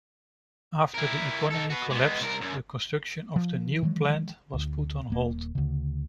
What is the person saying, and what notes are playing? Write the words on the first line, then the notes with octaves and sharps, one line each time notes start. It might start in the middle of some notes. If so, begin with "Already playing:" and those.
After the economy collapsed the construction of the new plant was put on hold.
E4 A#4
D#4 A4
F#4 B4
G#3 B3
C2 A#4
F#2
F3
D#3 E3 F#3 G#3
D2
D#1 A#3
D2 C#3